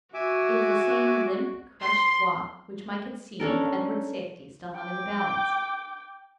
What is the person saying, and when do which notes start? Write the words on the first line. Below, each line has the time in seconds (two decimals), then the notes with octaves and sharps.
It was the same limp, crushed walk which Mike had seen when Edward's safety still hung in the balance.
0.14 F#4 E5 G#5 D6
1.82 C6
3.40 C#4 D4 A4 A#4
4.76 G5 D6